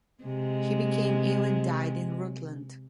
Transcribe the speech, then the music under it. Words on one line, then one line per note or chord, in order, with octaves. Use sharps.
He became ill and died in Rutland.
C3 G#3